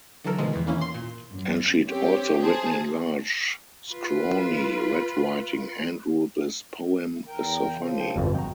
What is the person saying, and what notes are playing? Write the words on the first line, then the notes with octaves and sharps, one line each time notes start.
And she'd also written in large, scrawny red writing, Andrew-this poem is so funny.
D3 E3 F#3 A4 A#4
B2 D3 D#3 F3 G#3
E2 E3
D#3 E3 A#3 C#4 E4
C6
A#2
F#2
C4 G4 C#5
G#4 C5 A5
F4 B4
E2 A#4 G5
C#3 F3
G5
G1 F2 B2 E3 F3 G#3
F#4 G5 A#5